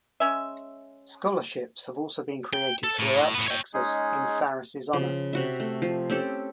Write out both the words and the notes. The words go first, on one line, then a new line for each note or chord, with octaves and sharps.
Scholarships have also been created throughout Texas in Farris’ honor.
G#3 C#4 E5
G5
A4
A2
A2 B3
C#5 G5
G#3 C#4 D#4 G#4
C#3 F3
C3 F#4 E5
A3
F3
C4 C#4 G4 A4